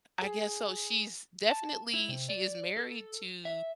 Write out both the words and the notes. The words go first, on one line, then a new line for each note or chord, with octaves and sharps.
I guess so. She's definitely, she is married to
G#4
A5
E4
C3
D5
A4
E5